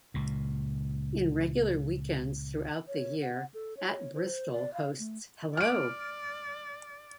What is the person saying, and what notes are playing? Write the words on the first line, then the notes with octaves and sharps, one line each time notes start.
In regular weekends throughout the year At-Bristol hosts Hello!
C#2 A#2
C#5
F#5
A4
C#5
C5
D5
F5
A3
D5 F6 D7